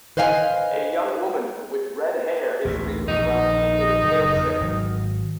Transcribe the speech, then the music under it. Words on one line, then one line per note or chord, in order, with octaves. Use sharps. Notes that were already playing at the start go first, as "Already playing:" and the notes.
A young woman, with redhair, is reading, while eating a potato chip.
B4 C5 D#5 F5 G5 G#5
A1 D2 A#2
A#1 D#2 D#4
F#1
E2
G#1 F#3